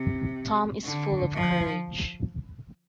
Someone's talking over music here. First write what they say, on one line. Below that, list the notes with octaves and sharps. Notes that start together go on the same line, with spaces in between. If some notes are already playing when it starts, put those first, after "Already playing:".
Tom is full of courage.
Already playing: C3
D3
F3